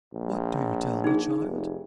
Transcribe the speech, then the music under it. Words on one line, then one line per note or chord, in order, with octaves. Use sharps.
'What do you tell me, child?'
A#1
D#4 G#4
F1